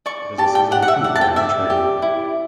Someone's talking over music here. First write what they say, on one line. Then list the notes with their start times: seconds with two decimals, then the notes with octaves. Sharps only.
It is a seasonal fruit bearing tree.
0.06 D5 C#6
0.38 G4 A5
0.55 G5
0.71 G4 F#5
0.82 F#5
0.88 E5
1.04 D5 F#5
1.16 A5
1.21 G5
1.36 D5 E5
1.70 G4
2.02 E4